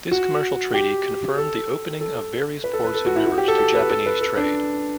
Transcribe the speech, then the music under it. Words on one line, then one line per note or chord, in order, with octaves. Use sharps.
This commercial treaty confirmed the opening of various ports and rivers to Japanese trade.
F#4
G4
A4
A4
B4
A4
B4
A4
F#4
E4
F#4
G4
A4
A4
B4
A4
B4
A4
D4